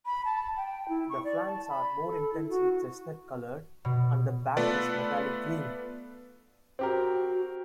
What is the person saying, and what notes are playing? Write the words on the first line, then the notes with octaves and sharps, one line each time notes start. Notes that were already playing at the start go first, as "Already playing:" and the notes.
The flanks are more intensely chestnut colored and the back is metallic green.
B5
A5
G5
E4
C#6
D5
A5
B5
A4
E4
F#4
B2
A3 B3 F4 A4 B4 D5
C4 F#4 G4 A#4